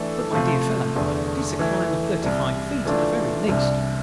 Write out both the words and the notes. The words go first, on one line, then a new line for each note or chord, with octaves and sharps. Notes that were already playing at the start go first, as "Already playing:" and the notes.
"But, my dear fellow, it is a climb of thirty-five feet at the very least."
Already playing: E3 A3 D4 A4
C3 F3 A3
E2 D3 A3
E3 A3 E4
C2 C3 G3
E3 A3 D4 F4
C2 C3 G3 D4